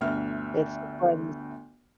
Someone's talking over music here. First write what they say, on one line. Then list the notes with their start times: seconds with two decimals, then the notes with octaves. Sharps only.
It's the friends.
0.01 G1 D2 E5 F6